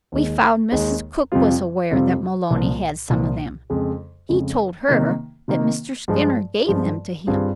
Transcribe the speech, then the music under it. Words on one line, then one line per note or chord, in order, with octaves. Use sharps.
We found Mrs. Cook was aware that Maloney had some of them--he told her that Mr. Skinner gave them to him.
D#2 D#3 G#3
D#2 D#3 G#3
F2 C3 G3 C4 F4
F2 C3 G3 C4 F4
C2 A#2 F3
C2 A#2 F3
F2 C#3 G#3
F2 C#3 G#3
C3 D#3 A#3
C3 D#3 A#3
G2 F3 G#3
G2 F3 G#3
G2 G3 C4 F4 G#4